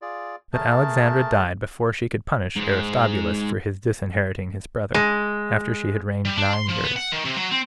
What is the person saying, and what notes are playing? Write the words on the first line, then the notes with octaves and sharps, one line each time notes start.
But Alexandra died before she could punish Aristobulus for his disinheriting his brother, after she had reigned nine years.
F4 G#4 D5
A3 G#4 A#4 A5
G#2 G#3
G#3
G3
D4
C6
F3
B3
F#5
D#3
C3
F#3
C4